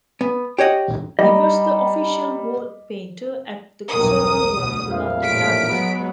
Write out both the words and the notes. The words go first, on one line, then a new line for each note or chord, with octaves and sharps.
He was the official war painter at the Kosovo War for the "London Times".
B3
G4 C#5 D#5 F#5
G3 D5 D#5 A#5 B5
B1 E2 G2 A#4 D#6
D2 B2
A#1 F2 A2 F5
A1 C3 B6 D7
F#3 G#3 B3